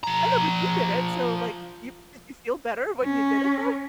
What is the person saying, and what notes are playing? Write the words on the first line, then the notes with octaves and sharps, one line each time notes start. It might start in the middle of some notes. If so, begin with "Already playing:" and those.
I know, but you did it, so, like, you did you feel better when you did it, though?
F3 A#5
C#4